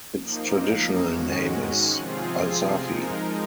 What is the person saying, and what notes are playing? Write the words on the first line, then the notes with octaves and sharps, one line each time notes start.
Its traditional name is Alsafi.
F3 A#3 D#4
G#2 D#3 G#3 C#4 F#4
C3 F3 C4 F4 G#4
F3 G#3 D#4 A#4